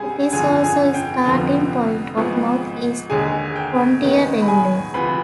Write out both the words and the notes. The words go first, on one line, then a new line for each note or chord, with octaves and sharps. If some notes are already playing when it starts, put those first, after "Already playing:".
It is also starting point of North East Frontier Railway.
Already playing: C2 C3 G3 G#4 G#5
G1 F2 D3 G#4 G#5
G#4 G#5
G5
F1 F2 D3 F3 B3 G5
G#1 G#2 F3 B3
D#2 D3 G#3 G#4 G#5
G5
D#2 D#3 G#3 B3
B5
G#4 G#5
D2 C3 F3 B4 B5